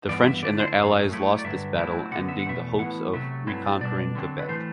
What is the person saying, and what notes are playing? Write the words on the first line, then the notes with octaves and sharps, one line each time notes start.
The French and their allies lost this battle, ending the hopes of reconquering Quebec.
G2 E3 B3 D5
E5
D3 A3 E4 D5
C5
F#2 F#3 A3
A2 F#3 A3 E4
D5
G2 D3 F#3 E5
A2 F#3 C4 E4
D3 F#3 B3 F#5
E5
F#5
E2 B2 A3 E5
A2 E3 B3 E4 F#5
C3 F#3 A3 E5
G2 F#3 A3 C4 E4
B2 G3 D4 D5
D3 F#3 C4
B4
A2 E3 A3 C5